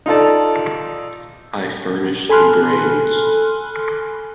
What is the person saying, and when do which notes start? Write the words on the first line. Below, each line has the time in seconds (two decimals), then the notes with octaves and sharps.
I furnish the brains.
0.06 D#4 F4 A4 D5
2.29 A4 G#5 B5 C6 F6 F#6